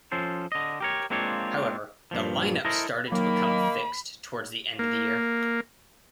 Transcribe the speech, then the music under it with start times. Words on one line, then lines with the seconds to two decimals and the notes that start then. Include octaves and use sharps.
However, the lineup started to become fixed towards the end of the year.
0.12 F3 C#4 A4 C5
0.52 D3 D#5
0.80 G4 A#4 C#5
1.10 G#3 A#3 C4 D4 F4 C#5
2.11 G2 A#2 F3
2.65 E4 A4 A#4 C5 D#5
3.12 D#3 F#3 A#3 B5
4.79 A#3